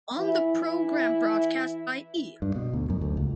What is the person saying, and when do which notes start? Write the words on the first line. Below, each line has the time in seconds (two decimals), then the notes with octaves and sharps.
On the programme broadcast by E!
0.18 E3 E4
2.42 G2
2.56 B2
2.73 D2
2.90 F#2
3.01 D2
3.17 C#2